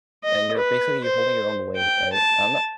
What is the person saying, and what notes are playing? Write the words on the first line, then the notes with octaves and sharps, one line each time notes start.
and you're basically holding your own weight, right? I'm not
D#5
B4
C5
G5
A5